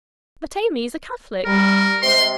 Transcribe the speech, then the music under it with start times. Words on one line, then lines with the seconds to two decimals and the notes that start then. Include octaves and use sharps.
"But Aimee is a Catholic?"
1.45 G3 A#4
2.02 C3 G#3 C6